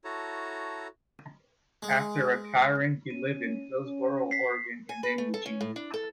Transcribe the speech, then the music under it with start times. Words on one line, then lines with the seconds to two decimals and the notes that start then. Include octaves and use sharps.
After retiring he lived in Hillsboro, Oregon, and then Eugene.
0.04 E4 F#4 A4 C#5 A5 A#5
1.82 G#3
3.11 C#4 D#7
3.84 C#4
4.31 B6 C7
4.89 G#5
5.03 B4
5.18 A3
5.34 A4
5.46 C#4
5.61 A2
5.76 D4
5.94 A4